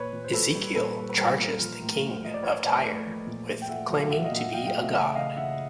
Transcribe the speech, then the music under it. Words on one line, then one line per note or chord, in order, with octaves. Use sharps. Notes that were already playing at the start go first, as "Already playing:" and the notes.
Ezekiel charges the king of Tyre with claiming to be a god.
Already playing: A#2 B4 C#5
A#2
C5
A#2 A4 B4
G3
A#2 A4 B4
G3
B4
G3 A#4 C5
A#2
F3
A2
A2
F3 D#5
D5
A2 B4 C#5
A2 C5 D5
A3
F3
A#2
A3
G5
A3 E5 F#5
F#3
F5
F#3 E5 F#5
D#5 F5
A#2
E5 F#5
F#3 F5 G5
F5 G5
A3
E5 F#5
C#3 E5 F#5
C#3 D#5 F5
C#3 E5 F#5